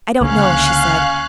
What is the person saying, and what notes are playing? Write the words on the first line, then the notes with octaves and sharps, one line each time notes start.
"I don't know," she said.
C#2 D3 A#3 C#4 F5 F#6